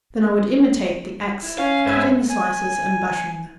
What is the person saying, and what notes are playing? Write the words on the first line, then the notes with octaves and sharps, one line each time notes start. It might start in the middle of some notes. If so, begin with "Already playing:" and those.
Then I would imitate the acts of cutting the slices and buttering them.
E4
C#4 F5
G#2 B4 E5 G#5
G#5